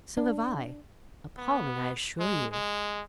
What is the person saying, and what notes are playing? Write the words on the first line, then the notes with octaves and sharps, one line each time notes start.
So have I. Appalling, I assure you.
D4
B3
G#3
G#3